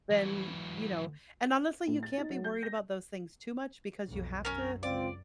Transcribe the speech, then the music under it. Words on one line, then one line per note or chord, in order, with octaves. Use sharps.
then, you know and honestly, you can't be worried about those things too much, because you have to
E3 F#3
A2
A6
D#4
F#3
G6
A#6
B1 F2
F#2 C#4 A#4
C#2 C4 F4 D5